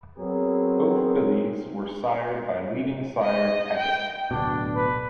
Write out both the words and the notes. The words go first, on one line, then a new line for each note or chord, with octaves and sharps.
Both fillies were sired by leading sire Tapit.
F#3 B3 C4 G#4 A#4
D#5
G5
D1 B2 D4
B4